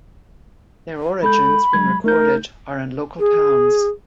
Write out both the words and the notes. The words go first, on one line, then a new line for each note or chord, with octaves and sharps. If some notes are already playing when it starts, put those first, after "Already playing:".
Their origins, when recorded, are in local towns.
G#3 A4 B5 G6
F#3 G#3 G#6
A3 D#4 A#4 G6
G#4